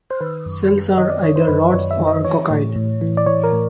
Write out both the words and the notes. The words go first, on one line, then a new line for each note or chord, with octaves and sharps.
Cells are either rods or coccoid.
C5
D#3 B4
F#2
F#2
D#3 D#5
D5
D#3 C#5
C5
F#2 B4
F#2 C#5
E5
D#3
D#5
E3 C#5
A2
A2
E3
D5
E3 C#5
A#4
A2